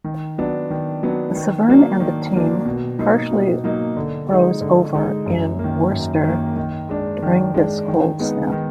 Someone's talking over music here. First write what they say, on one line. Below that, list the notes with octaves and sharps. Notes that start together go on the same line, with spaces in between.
The Severn and the Teme partially froze over in Worcester during this cold snap.
D#3
F#3 B3 D4
D#3
F#3 B3 D4
D#3
F#3 A#3 D4
D#3
F#3 A#3 D4
B2
F#3 A#3 D#4
B2
F#3 A#3 D#4
D3
G#3 D#4
D3
G#3 D#4
F#2
A#3
D#3
F#2
D#3 A#3
D#3
G#3 D4
D#3
G#3 D4
D#3
G#3 B3 D#4
D#3